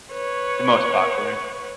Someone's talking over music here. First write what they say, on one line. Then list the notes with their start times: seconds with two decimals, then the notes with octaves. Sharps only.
the most popular.
0.13 B4 C#5